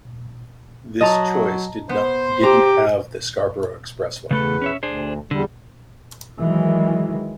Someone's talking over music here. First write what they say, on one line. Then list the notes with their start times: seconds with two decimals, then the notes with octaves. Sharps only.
This choice didn't have the Scarborough Expressway.
1.01 F#3 D#5 A5 A#5
1.89 B3 C5
2.43 G4 A#5
4.31 E2 C#3 A3 A4 B4
4.62 C#4 C#5 E5
4.83 D2 D4 G#4 C5
5.31 E2 D3 G3
6.39 D#3 E3 F#3 G#3